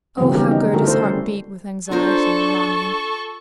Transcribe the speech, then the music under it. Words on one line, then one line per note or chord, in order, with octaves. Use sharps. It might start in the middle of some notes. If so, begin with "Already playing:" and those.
Oh, how Gerda's heart beat with anxiety and longing!
C#3 E3 F#3 A#3 C4
D#3 G3 B3 C#4 G4 A#4
D#4
D3 A3 D4 F#4 A#4
A3 E4 A4 C5
G3 C#4
D4 F4 A4 A#4 C5 C#6